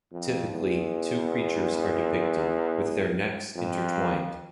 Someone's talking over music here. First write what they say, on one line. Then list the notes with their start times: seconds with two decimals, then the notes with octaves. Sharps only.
Typically, two creatures are depicted, with their necks intertwined.
0.12 F2
0.50 E2
3.56 F2